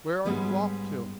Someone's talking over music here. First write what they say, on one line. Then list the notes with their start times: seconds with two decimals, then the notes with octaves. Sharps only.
"Where are you off to?"
0.25 G#2 C3 G3 G#3 B3 C#4